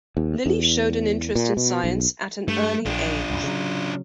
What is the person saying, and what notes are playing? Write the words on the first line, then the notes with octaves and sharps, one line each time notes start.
Lilly showed an interest in science at an early age.
D#2
E2
A#2
B2
B1
G2 A3
A#1 D4 F4
C2 F#2
C#3 F#3